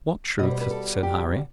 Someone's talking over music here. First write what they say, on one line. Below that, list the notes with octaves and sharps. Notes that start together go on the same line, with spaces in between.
"What truth?" said Harry.
B2 G3 D#5
C5
B4
A4
G4